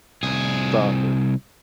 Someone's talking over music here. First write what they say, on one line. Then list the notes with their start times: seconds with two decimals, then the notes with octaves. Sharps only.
stop it.
0.23 C2 G#4